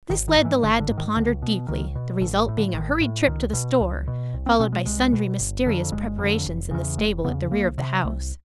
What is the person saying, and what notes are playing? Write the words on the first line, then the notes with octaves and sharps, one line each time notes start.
This led the lad to ponder deeply, the result being a hurried trip to the store, followed by sundry mysterious preparations in the stable at the rear of the house.
G#1 D#3
D#3
G#2
E3
G#1 D3
D3
G#2
D#3
C#2 D3
B2
C#2 D#3
B2
A1 D3
A2
D3
A1 D#3
A2
C#2 D#3
B2
C#2
B2
C2
C4
B2 C#4
G#3
C2 G#3
B2
G1
F2 D3
G1 G#3
F2
D3
F1
E2 C#3
F1 A3
E2 C#3 B3
C2 A#3
C3
C2 A3